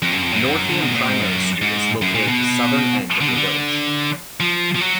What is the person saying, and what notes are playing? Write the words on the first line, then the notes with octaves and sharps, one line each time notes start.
Northiam Primary school is located at the southern end of the village.
F2
F#2
F2
F#2
D3
B2
A#2
G#2
F#2
G#2
F#2
A#2
B2
D3
B2
D3
F3
F3
F#3